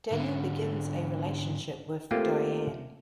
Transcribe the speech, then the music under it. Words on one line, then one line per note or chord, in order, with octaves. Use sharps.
Daniel begins a relationship with Diane.
G#2 D3
A3 A#3 C4 F4 G4